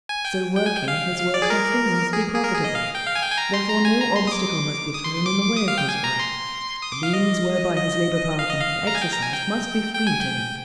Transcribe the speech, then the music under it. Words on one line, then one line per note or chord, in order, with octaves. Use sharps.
So working, his work must always be profitable, therefore no obstacle must be thrown in the way of his work: the means whereby his labour- power can be exercised must be free to him.
G#5
G5
G5
G#5
G5
F5
F5
D5
G#4
A#4
G#4
G#4
A#4
G#4
D#5
F5
G5
F5
G#5
G5
G#5
A#5
C6
A#5
G#5
A#5
C6
D#6
D6
D#6
C6
C6
D6
D6
D#6
F5
G5
G#5
A#5
C6
D#6
D6
F5
D#5
D#5
F5
D#5
F5
A#5
G#5
G5
A#5
G#5
G5
G5
G#5
G5